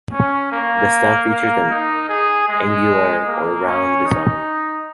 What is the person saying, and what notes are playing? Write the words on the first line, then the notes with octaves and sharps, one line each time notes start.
The stem features an angular or round design.
C#4
A#3
A#3
D#4
G#4
G#3
A#3
C#4
D#4